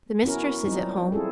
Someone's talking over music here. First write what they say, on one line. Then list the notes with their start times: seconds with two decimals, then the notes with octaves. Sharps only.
The mistress is at home.
0.23 B3 C#4 E4 F#4 A#4
0.64 F#3 G3 C4 D#4 F4
1.12 C4 E4 F4 G#4 A4